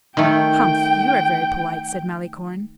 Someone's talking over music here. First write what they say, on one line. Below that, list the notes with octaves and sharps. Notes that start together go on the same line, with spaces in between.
"Humph! you are very polite!" said Malicorne.
D#3 A3 G5